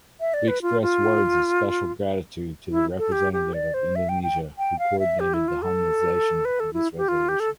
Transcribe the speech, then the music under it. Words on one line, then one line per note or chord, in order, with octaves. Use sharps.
We express words of special gratitude to the representative of Indonesia who coordinated the harmonization of this resolution.
E5
D5
B4
F4
F4
E4
A4
G4
G4
D5
C5
E5
G5
G5
G5
F5
E5
G4
E4
F4
A4
B4
A4
E4
G4
F4
G4
A4